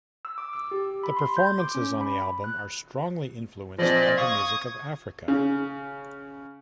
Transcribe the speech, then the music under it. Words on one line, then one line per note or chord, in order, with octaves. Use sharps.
The performances on the album are strongly influenced by the music of Africa.
E6
D6
E6
G4
B5
C6
G6
D6
C#4
B5
F#6
A#2 F3 C4 D5 D#5
F5 C#6 D#6 G#6
C#3